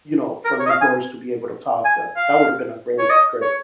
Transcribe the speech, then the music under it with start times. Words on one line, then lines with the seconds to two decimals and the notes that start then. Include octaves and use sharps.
you know, for the employees to be able to talk, but that would have been a great, great
0.45 A#4
0.60 C#5
0.66 D#5
0.70 F5
0.82 G#5
1.85 G#5
2.17 F5
2.99 C#5
3.10 D#5
3.42 C#5